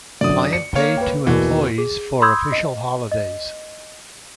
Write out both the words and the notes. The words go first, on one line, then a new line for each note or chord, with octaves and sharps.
Client pay to employees for official holidays.
F#2 D3 D5 D#6
C#7
A#3 C#5 F5
B4 G5
E2 B2 E3 A#3
G#4
B5 C6 D#6 E6 G6 G#6
D#5
D#5